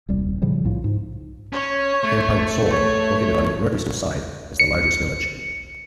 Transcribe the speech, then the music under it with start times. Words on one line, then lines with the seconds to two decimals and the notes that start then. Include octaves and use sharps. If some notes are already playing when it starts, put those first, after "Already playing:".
Kampung Sole, located on the northeastern side, is the largest village.
0.08 D#1 C2 G3
0.42 A2 C#3 F3 G3
0.64 C2 A2 F3
0.84 G#2
1.53 C#4 C#5
2.04 A3
2.70 C#5
4.60 C#7